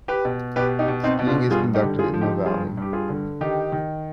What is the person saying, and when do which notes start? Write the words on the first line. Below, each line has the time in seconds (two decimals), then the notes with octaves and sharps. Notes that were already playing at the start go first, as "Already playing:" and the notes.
Skiing is conducted in the valley.
0.08 G4 B4
0.25 B2
0.56 B2 G4 B4
0.79 D#4 G4
0.88 B2
1.04 C4 D#4
1.19 B2
1.27 D4 F4
1.50 G2 F4 G#4
1.74 D#4 G4
1.83 D3
1.99 F4 G#4
2.14 F3
2.21 D#4 G4
2.45 G2 F4 G#4
2.77 G2 G4
2.93 F4 G#4
3.09 D3
3.41 D#3 D#4 G4
3.72 D#3